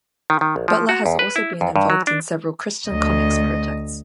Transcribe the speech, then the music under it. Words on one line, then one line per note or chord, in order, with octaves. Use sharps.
Butler has also been involved in several Christian comics projects.
D#3
D#3
A#1
F3
F#4
E2
B4
E4
F2
G2
F#3
D4
D2 D#5